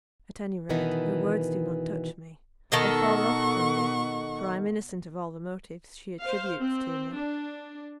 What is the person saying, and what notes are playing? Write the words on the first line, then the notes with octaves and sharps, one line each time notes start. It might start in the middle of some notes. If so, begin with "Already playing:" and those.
'At any rate, her words do not touch me; they fall off from me; for I am innocent of all the motives she attributes to me.
B2 D#3 E3 B3 D#4
B2 D#3 A4 D#5 F#5 C#6
C5 F5
C4
D4